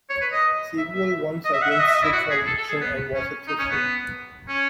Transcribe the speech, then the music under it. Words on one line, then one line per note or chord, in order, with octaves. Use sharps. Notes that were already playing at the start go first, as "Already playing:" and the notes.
Sewell once again stood for election, and was successful.
C#5
B4
D#5
E5
E5
D#5
E5
F#5
E5
D#5
E5
D#5
E4
F#4
G#4
A4
A4
G#4
B3
C#4
D#4
C#4
B3
C#4